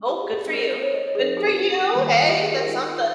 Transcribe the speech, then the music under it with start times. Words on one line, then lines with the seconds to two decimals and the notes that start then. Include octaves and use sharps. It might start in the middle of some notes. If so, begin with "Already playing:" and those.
Oh, good for you. Good for you! Hey, that's something.
Already playing: G#3 C#4
0.09 G4
0.20 G#4
0.33 G#4
0.46 G#3 C4 D#4
0.53 A#4
0.58 C5
0.70 C5
0.83 C#5
0.95 D#5
1.07 C#5
1.15 G#4
1.19 F3 C4 D#4 A#4
1.37 G4
1.47 G4
1.56 F4
1.93 D#3 G3 A#3
2.22 F4
2.29 G4
2.42 G#4
2.54 A#4
2.66 G#3 D#4 F4